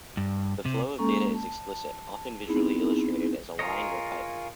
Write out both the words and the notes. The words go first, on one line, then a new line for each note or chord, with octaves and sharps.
The flow of data is explicit, often visually illustrated as a line or pipe.
G2
C3
G#3 A#3 C#4 A4 A#5 C#6
A5
B3 C4 D#4 E4 G#4
F4 G#4 A#4 C#5 D#5